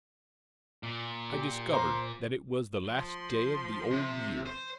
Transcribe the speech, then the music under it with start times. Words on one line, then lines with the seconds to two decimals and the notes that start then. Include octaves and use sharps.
I discovered that it was the last day of the old year.
0.83 A#2
1.32 G4
1.73 C5 A#5
2.87 F3 C6
3.91 C3
4.46 C5